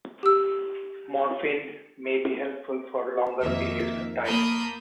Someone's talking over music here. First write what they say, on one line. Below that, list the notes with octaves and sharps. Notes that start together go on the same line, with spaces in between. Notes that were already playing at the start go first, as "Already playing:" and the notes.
Morphine may be helpful for longer periods of time.
G4 E6
F2 D#3 A#3 E5
A#3 A#4 A5 B5 D#6 G6